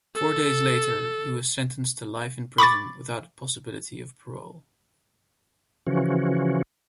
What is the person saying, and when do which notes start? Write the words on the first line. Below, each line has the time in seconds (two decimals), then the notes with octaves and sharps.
Four days later, he was sentenced to life in prison without possibility of parole.
0.15 A4
2.58 B5 C#6 D6 A6
5.87 C#3 E3 F3 C#4 F#4